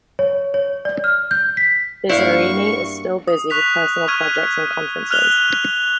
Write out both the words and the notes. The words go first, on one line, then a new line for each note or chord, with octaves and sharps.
Bizzarrini is still busy with personal projects and conferences.
C#5
C#5
D5
F6
G6
B6
G2 A#3 E4 F#4 C5 D5 F5 C#6
D#6
C#6 F#6 B6 F7
C#6 F6 G#6 D#7
F6 F#6 F7 G7